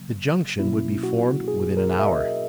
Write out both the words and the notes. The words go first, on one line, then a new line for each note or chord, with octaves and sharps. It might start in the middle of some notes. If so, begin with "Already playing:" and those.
The junction would be formed within an hour.
Already playing: C#3 F#3 A#3
B2 F#3 A#3 C#4 E4
F#4
G#4
A#4
E5
D#5